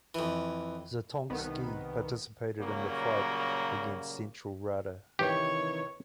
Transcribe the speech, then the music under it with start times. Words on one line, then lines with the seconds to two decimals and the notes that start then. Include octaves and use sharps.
Zatonsky participated in the fight against the Central Rada.
0.15 F2 E3
1.30 C2 D#3 B3
2.60 A#2 C#3 F#3 G3 A#3
5.19 C3 D#3 E3 G4 C#5